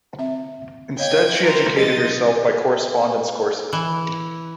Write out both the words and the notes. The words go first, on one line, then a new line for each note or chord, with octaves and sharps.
Instead she educated herself by correspondence courses.
C4 E5
C#5 D#5 F5 G5 G#6
A#4 C5
G4 D#5 A6
E3